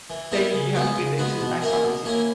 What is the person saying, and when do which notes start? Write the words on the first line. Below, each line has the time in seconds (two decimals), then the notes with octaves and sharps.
Thank you, you have a good day too, nice talking to you.
0.10 E3
0.32 B3 E4 A#4 D#5
0.53 C#3
0.75 G#3 B3 F#4 B4
0.97 C#3
1.18 G#3 B3 F#4 B4
1.40 B2
1.62 A#3 C#4 E4 A#4
1.83 B2
2.05 A#3 C#4 E4 A#4